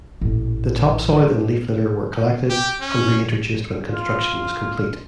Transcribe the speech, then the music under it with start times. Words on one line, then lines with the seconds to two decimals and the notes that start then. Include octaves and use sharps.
The top soil and leaf litter were collected and reintroduced when construction was complete.
0.21 A1 A#2
2.50 G4
2.81 C#4
3.88 F4